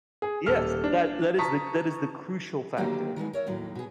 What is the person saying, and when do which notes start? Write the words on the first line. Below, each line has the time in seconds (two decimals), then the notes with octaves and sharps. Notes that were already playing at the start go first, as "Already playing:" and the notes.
Yes. That that is the that is the crucial factor.
0.22 G#4
0.46 D#1 A4 F6
0.84 D4
1.38 A5 A#5 C#6 D#6 B6
2.77 D3 D#3 F#3 A3 A#3 G4
3.16 D#3 E3 G#3 B3
3.33 A#4 C#5 E5
3.47 D#2 A2 D#3 F#3
3.75 B2 G#4